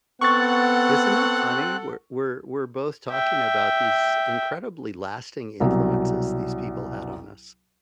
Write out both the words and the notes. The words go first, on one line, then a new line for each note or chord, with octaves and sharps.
Isn't it funny? We're we're we're both talking about these incredibly lasting influences these people had on us.
B3 C4 A4 F#5 C#6 F#6 A6
E5 G5
C2 B2 F#3